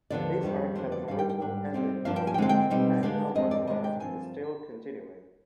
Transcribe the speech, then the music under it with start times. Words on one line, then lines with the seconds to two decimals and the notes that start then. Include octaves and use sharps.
This arc has an original ending while the manga Wano arc is still continuing.
0.10 D#2 D3 F3 B3 D5
0.43 F2 D#3 G3
0.75 F2 D3 F3 B3 D4 C5
0.92 D5
1.08 G2 D#3 G3 F5
1.19 G5
1.29 G5
1.40 G#2 G3 D4
1.73 C3 G3 C4 D#4
2.05 G2 F3 B3 D4 F5
2.16 G5
2.27 G#5
2.34 G5
2.38 D3 G#3 C4 D#4 F5
2.49 G5
2.70 B2 G3 C4 D#4
3.03 D3 G#3 B3 D4 F5
3.35 F2 D#3 G#3 C4 D#5
3.51 D5
3.67 C3 D#3 G#3 D4 D#5
3.84 G5
4.00 G2 F3 C4 G#5